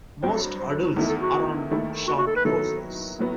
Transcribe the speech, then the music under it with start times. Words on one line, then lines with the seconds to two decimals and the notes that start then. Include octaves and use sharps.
Most adults are on short courses.
0.23 G2 F#3 C4 G5
0.35 A4
0.60 C5
0.71 A4
0.84 F#4
0.96 E2 D#3 A3 E4
1.09 A4
1.21 F#4
1.71 D#2 D#3 A3 E4
2.08 F#4
2.18 F#4
2.27 A4
2.36 B4
2.45 D#3 F#3 B3 E4 A4
3.19 A2 F#3 B3